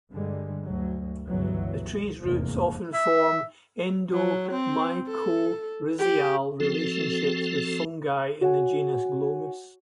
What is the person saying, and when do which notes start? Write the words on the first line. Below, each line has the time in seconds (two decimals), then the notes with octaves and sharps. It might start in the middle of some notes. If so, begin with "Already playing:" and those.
The tree's roots often form endomycorrhizal relationships with fungi in the genus "Glomus".
0.11 G2 D3 G3 G#3
0.65 D2 F#3
1.28 G1 C#2 B2 E3 F#3
2.22 F1 E2 G#2 A#3
2.94 E5
4.13 F#3
4.52 C4
5.08 A4
5.99 G4
6.60 F3 C4 F#4 A4
8.41 F#4 C#5 F#5 G#5